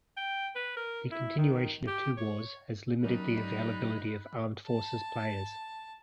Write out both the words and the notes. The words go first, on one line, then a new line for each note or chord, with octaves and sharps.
The continuation of two wars has limited the availability of armed forces players.
G5
B4
A#4
E4
D#3
G4
C#5
F#3 G3 A#3 C#4 D#4 B5 F#6
A5